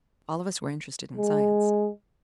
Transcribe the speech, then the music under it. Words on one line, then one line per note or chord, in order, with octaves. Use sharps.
All of us were interested in science.
G#3